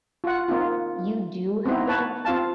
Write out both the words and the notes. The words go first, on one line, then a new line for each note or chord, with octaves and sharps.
you do have
F4 F#5
A#3 C4 D#4 F4
B3 C4 D#4 E4
B4 C#5 A5
C4 F4 F5 A5